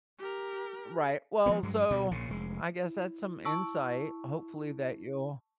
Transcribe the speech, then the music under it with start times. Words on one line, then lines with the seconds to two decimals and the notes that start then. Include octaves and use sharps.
Right, well, so, I guess that's some insight, hopefully, that you'll
0.18 G4 A#4
1.46 E3 F3 A#3 B3
1.63 G2 F#3 G#3
1.90 D2 B2
2.11 A#1 A#2 C#3
2.30 F1 G#3
2.84 E4
3.45 A5 C#6 E6